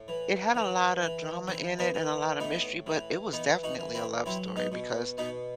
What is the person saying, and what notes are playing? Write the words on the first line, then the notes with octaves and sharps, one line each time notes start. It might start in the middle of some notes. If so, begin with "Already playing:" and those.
it had a lotta drama in it and a lotta mystery, but it was definitely a love story because,
Already playing: A2
E3
E3
E3
E3 C4
B3 D#4
E3
A2 B3 D#4
E3
E3 B3 D#4
D#4 F#4
E3
C4 E4
F#3 C4 E4
B3 D#4
B2
B2 B3 D#4